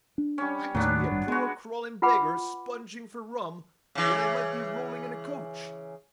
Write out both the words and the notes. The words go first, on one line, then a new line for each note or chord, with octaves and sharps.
I'm to be a poor, crawling beggar, sponging for rum, when I might be rolling in a coach!
D4
G3 C#4
D#2 A2 D#3 F#3 B3 D4
G#1 G2
G#3 B3 F#4
F4 B4 F#5 B5 D6
C#3 E3